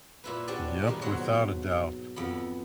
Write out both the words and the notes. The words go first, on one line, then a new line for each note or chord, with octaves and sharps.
Yep, without a doubt.
A#2 E4 B4
C#4 D4 F#4 G4 D5
D#3 G3 D4 A#4
G#2 B2 F#3 C#5 F#5
F2 B3 B5